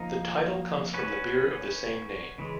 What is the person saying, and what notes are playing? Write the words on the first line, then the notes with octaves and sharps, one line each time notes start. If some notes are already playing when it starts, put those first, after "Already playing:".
The title comes from the beer of the same name.
Already playing: F3 A#3 D#4
C#4 F#4 B4
C#3 E3 G#3